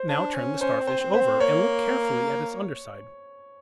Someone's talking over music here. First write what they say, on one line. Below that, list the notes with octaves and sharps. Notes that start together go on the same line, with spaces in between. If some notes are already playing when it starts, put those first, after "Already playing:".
Now turn the Starfish over, and look carefully at its underside.
Already playing: C5
D4
C#4
C#4 C5
C4
C5
C4
B3 C5
C4
A#3 C#5